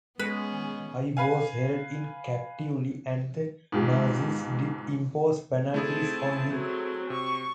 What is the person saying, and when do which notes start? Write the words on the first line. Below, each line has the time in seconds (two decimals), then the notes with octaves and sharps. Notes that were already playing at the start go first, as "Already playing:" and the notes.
I was held in captivity and the Nazis did impose penalties on me.
0.19 G#3 B3 C#4 G#4 B4
1.17 B4 F5 G#5
3.72 G#2 B2 F4 G4
5.74 A3 C4 E4 G#4 A5
6.54 F#3 C4
7.10 C3 C#6